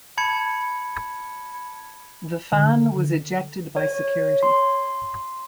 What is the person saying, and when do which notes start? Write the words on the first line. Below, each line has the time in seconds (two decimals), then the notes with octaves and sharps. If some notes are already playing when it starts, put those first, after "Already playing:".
The fan was ejected by security.
0.17 A5 B5 G#6 C#7
2.53 D3
3.77 C#5
4.43 C6